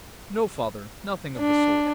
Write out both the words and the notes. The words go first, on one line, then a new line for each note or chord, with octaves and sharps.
'No, father, nothing of the sort.
D4